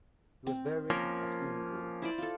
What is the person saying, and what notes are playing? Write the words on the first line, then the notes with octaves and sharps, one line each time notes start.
He was buried at Oundle.
C4
F3 A#3 C#4 A#4
E4 C5 D5
F4 A4